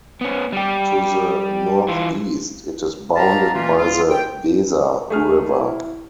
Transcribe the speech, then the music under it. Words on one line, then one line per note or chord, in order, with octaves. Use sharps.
To the northeast it is bounded by the Weser river.
B3 C#4
G3 G4
E3 F4
F4 G4 D#5 F5 A5 A#5
A#2 E3 A3 A#3 C#4 F4
F4
G5
A3 G#4 F6
E4